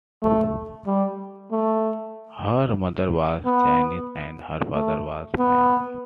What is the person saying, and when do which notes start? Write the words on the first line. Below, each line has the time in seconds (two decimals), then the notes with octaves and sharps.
Her mother was Chinese and her father was Mayan.
0.22 A3
0.86 G3
1.51 A3
3.45 B3
4.74 A3
5.38 B3